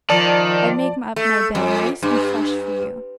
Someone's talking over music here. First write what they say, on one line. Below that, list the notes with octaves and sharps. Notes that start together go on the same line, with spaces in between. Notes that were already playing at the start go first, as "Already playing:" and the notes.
I'd make up my bed nice and fresh for you.
D#3 F3 D5 A5
A3
F2
G2